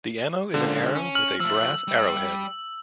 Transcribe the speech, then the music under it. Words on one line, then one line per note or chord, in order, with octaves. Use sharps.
The ammo is an arrow with a brass arrowhead.
C#2 D3 F3
C#4
F6 F#7
F3 A3 E6
G3